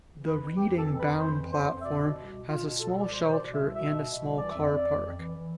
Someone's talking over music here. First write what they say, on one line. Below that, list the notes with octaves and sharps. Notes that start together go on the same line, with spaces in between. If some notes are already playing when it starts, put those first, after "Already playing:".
The Reading bound platform has a small shelter and a small car park.
E3
F2 B4
F2
F2 G4
E3
A4
F2
B4
F2
E3 C5
F2
F2 C5
F2
E5
B2 D5
B2
C2
B2
B2 F4
B2
B2 A4
C2
D5
B2 C5
C5
B2 D5
B2
E5
C2
B2 E5
B2
B2
C2
E3 D5
F2 E5
D5
F2
F2
F2
E3
E3